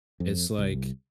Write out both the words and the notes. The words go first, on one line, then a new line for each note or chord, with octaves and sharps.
it's like,
F2
C2